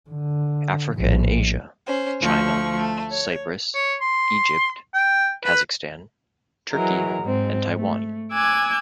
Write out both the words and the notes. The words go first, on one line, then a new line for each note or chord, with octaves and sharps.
Africa and Asia: China, Cyprus, Egypt, Kazakhstan, Turkey and Taiwan.
D3
A#1 A2
C#4 C5
D2 F3 A3 C#6
A3
C#5
C#5
C6
G5
B4
E3 F#3 G#3 A#4
G#2 C4
A3
G#5 D6 E6 F#6 G#6